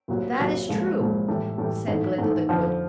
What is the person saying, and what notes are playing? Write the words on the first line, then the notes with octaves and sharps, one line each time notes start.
"That is true," said Glinda the Good.
C2 A#2 F#3
C2 A#2 F#3
C2 A#2 F3 G#3
C2 A#2 F3 G#3
A2 E3 G3
A2 E3 G3
G#2 E3 A3
G#2 E3 A3
F2 D3 F3